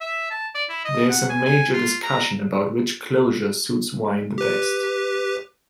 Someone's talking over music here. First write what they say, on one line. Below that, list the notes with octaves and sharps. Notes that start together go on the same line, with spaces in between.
There is a major discussion about which closure suits wine the best.
E5
A5
D5
E4
D#5
F#5
G#5
G#5
F4
A#5
G4 B4